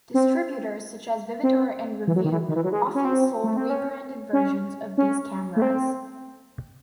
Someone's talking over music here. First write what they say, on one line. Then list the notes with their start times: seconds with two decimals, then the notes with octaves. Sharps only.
Distributors such as Vivitar and Revue often sold rebranded versions of these cameras.
0.14 C4
1.43 C4
2.07 E3
2.16 F#3
2.24 D#3
2.32 E3
2.49 D#3
2.56 E3
2.64 F#3
2.72 G#3
2.95 C#4
3.05 C4
3.44 A3
3.57 C4
3.70 C#4
4.33 C#4
4.98 C#4
5.56 A3
5.62 C4